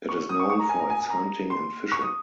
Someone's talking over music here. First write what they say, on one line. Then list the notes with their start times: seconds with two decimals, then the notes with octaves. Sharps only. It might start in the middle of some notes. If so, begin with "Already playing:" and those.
It is known for its hunting and fishing.
0.09 C#6
0.29 D#6
0.40 C#6
0.50 C#6
0.60 A#5
0.69 G#5
0.79 A#5
0.90 G#5
1.00 G#5
1.10 A#5
1.50 C6
1.92 C#6
2.02 D#6